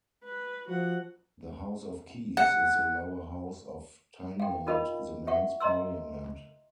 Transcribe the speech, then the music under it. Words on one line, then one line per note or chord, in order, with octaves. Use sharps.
The House of Keys is the lower house of Tynwald, the Manx parliament.
B4
F3 F#4 F#5
F#5
F5 G5
D#4 F4 A#4 D#5 F5 B5
G4 E5 F#5 C#6
D#5 A#5 C6 E6